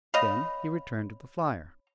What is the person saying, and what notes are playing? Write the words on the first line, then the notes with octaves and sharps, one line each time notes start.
Then he returned to the flier.
C#5 D#5 F5 B5